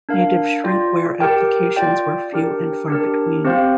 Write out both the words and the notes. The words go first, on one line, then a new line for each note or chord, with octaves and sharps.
Native shrinkware applications were few and far between.
D4 A#4 F5
F4 D5 G5
G4 A#4 G5
F4 D5 G5
D4 G4 A#4 G5
D4 G4 A#4
C4 G4 C5 F5